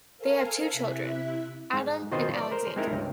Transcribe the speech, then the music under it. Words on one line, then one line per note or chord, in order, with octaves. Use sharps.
They have two children: Adam and Alexandra.
A4 A#4 C5 F5 G#5
C3 E4 E5 F#6 B6
G#2
B2 D#3 C4 F4 C5 D#5
D5
A#4 C5
G#3 C4 D#4 E4 A#4
C#2 G2